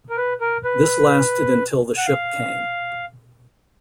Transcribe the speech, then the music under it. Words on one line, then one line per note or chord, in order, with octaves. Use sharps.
This lasted until the ship came.
A#4
B4
A#4
B4
F#5
F5